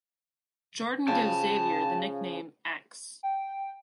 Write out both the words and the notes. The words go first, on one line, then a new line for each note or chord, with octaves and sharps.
Jordan gives Xavier the nickname "X".
C#3 F3 G5 A5
G5